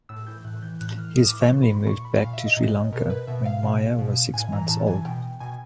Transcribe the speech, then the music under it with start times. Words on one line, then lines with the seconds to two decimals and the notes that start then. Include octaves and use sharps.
His family moved back to Sri Lanka when Maya was six months old.
0.09 A2 E6
0.27 E3 G6
0.44 A2 F#6
0.62 E3 G6
0.81 A2 F#6
0.97 E3 F6
1.15 A2 D#6
1.27 D6
1.33 E3
1.40 C#6
1.51 A#2 C6
1.62 B5
1.75 C6
1.87 A#2 C#6
2.05 B5
2.22 A#2 F5
2.33 E5
2.46 D#5
2.57 A#2
2.92 B2 A#4
3.10 B4
3.27 B2 E5
3.46 F5
3.63 B2
3.98 B2
4.34 A2 G#5
4.52 E3 A#5
4.69 A2 A5
4.87 E3 G#5
5.05 B2 G5
5.40 B2 G#5